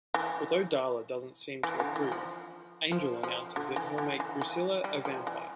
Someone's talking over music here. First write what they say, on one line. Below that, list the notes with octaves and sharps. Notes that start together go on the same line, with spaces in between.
Although Darla doesn't seem to approve, Angel announces that he'll make Drusilla a vampire.
E3
E3
D3
E3
F3
F3
F3
D3
E3
D3
E3
E3
G3
F3
E3